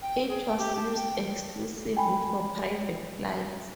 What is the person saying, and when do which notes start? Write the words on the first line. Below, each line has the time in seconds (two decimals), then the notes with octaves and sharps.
It was used exclusively for private flights.
0.02 G5
0.28 G#4
0.44 G5
0.58 G4
0.77 A5
0.97 G5
1.97 G5 G#5 B5